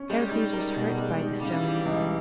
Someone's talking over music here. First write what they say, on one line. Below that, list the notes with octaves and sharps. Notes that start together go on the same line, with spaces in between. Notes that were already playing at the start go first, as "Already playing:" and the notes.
Heracles was hurt by the stones.
Already playing: C#4
G3 G#3
D#4
A#4
B2
G#3
D#4
C#3 G3
E3
C#2